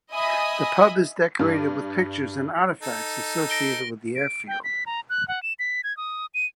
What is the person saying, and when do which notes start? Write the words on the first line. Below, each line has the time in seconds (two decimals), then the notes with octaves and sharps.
The pub is decorated with pictures and artifacts associated with the airfield.
0.12 D#5 E5 G#5 B5 D#6
1.39 G2
2.82 D#4 A4
3.50 A#6 D7 G7
4.15 D7
4.48 G5
4.64 B6
4.86 A#5
5.10 F#6
5.28 F#5
5.43 E7
5.59 B6
5.84 G#6
5.97 D#6
6.34 D#7